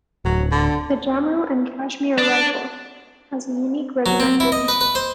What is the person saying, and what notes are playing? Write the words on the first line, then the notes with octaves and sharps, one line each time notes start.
The Jammu and Kashmir Rifles has a unique regimental history.
D1 F#3
D3
D4
F#3
C4
E4
D#5
B4
B4
C5